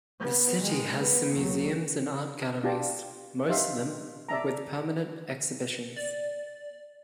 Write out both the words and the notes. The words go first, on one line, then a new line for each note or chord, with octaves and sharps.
The city has some museums and art galleries, most of them with permanent exhibitions.
B3
D#3 G#3
B3
D#2 F#3
D4 F4 G4 D5 A5
D#4 G4 C5 E5 F5
D5 E5 A5 A#5
D5